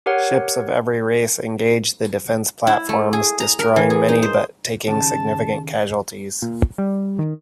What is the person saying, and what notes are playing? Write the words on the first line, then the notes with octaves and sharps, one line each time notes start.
Ships of every race engage the defense platforms, destroying many but taking significant casualties.
G4 A#4 C#5 F#5
E4
A3
G#4
A#5
A#4
E3
G#4
D#4
C5
D#2 C#3 A5
A#2
G3
D#3